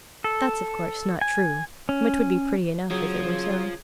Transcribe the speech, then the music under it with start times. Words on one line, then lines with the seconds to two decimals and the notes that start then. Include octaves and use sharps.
That's, of course, not true: but 'twould be pretty enough if it were so.
0.24 A4
1.21 G#5
1.89 C#4
2.90 C#3 F3 F#3 G#4